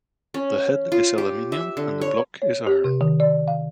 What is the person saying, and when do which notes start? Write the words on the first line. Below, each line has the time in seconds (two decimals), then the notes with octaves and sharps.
The head is aluminium and the block is iron.
0.34 C#4
0.92 F4
1.18 G4
1.52 E5
1.77 D3
2.01 C#5
2.42 C#5
2.67 G4
2.84 C3
3.01 D#3
3.20 D5
3.48 F5